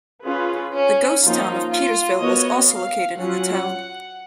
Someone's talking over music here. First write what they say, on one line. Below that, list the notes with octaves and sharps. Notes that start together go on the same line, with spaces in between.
The ghost town of Petersville was also located in the town.
C#4 F4 G#4 B4
C#4
F3 A#3 C#4 D#4 F4
F4
B3 F#4 A#4 C#5 D#5
F5
F#3 C#4 F4 F#5